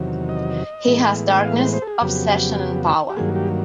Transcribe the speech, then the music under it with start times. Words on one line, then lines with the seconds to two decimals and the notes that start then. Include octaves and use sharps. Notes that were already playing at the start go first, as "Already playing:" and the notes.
He has darkness, obsession and power.
Already playing: E2 C3 D#3 F#3
0.29 D#5
0.87 A2 E3 G#3 B3
1.45 F5
1.59 C5
1.73 C5
1.82 A4
1.87 G#4
2.01 F2 C#3 F#3 B3 G4
3.10 G4
3.17 G2 D#3 F#3 A#3 G#4
3.35 G4